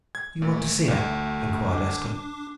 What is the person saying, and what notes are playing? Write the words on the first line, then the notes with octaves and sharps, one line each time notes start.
"You want to see her?" inquired Esther.
G#6
A#2 A3
D2
D4 D6